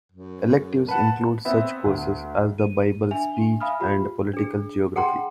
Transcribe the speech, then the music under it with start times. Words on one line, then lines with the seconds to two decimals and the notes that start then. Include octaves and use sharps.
Electives include such courses as the Bible, speech, and political geography.
0.12 F#2
0.88 B4 F#5 A5
1.45 B3 C4 E5
1.85 D2
2.58 D#7
3.11 D4 E5 G#5 F7
3.60 E5 F5 G#5 B5 D#6 F6
3.80 F4 G4 B5
4.33 D4 G#4
4.96 G#4 F#5 G5 A#5 C6